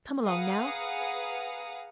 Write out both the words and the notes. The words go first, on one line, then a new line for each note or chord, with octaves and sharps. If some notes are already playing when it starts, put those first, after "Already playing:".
Come along, now.
G#4 B4 F5 F#5 A#5 D#6